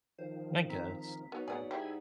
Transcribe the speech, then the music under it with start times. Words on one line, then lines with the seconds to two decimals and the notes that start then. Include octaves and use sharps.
I guess.
0.18 D#3 F3 C5
0.70 C4 A#5 B6
1.32 F#3 B3 D#4
1.48 A2 B3 G#4 D5 F#5
1.71 G#2 D#4 E4 G4 E5 G#5 B5